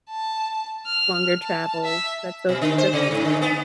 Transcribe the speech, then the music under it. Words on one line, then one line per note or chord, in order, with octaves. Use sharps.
along their travel. That's so that's so sweet.
A5
F6
A5
E5
B2
D3
C5
C#3
G#2
D3
B3